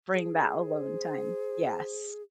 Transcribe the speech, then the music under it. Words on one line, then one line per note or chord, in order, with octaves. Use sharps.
bring that alone time. Yes.
G#4
C5